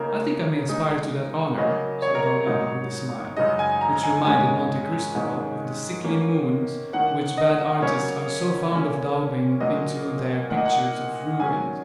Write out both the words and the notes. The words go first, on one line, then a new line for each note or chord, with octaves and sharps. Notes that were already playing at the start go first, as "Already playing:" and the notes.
"I think I may aspire to that honor," said Danglars with a smile, which reminded Monte Cristo of the sickly moons which bad artists are so fond of daubing into their pictures of ruins.
Already playing: C#3 A#3 D#4 A#4
A#2 G#3 D#4
C#3 F#3 A#3 D#5
C#5
A#4
C#5
G#2 F#3 D#4
F#2 C#3 G#3 D#4 D#5
G#5
A#5
A#5
G#5
G#2 D#3 G#3 C#4 G#5
G#2 D#3 G#3 C#4
D#3 A#3 C#4
D#3 A#3 C#4 F#5
D#5
C#3 F#3 A#3 C#4 C#5
A#2 A#3 C#4
A#2 F#3 A#3 D#5
A#2 A#3 D#4 F#5
D#5
F#5
D#3 F#3 C#4 G#5